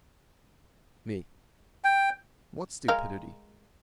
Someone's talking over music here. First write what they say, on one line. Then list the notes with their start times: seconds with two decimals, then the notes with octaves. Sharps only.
ME: What stupidity?
1.84 G5
2.88 G#3 A#4 F5